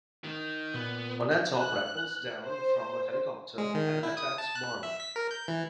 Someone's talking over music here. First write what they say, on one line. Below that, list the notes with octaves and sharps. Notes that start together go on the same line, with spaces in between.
Onatopp rappels down from a helicopter and attacks Bond.
D#3 D#4
A#2 B3
F#6
C5
G#3
D#3
E4
D#6
A5
F#6
E5
B6
A#4
G6
E3